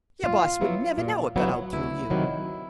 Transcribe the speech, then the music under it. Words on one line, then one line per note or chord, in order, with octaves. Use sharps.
"Your boss would never know it got out through you."
A#2 F4
F#3 B3 E4
A#2
F#3 B3 E4
D2 E4
C3 D#3 F#3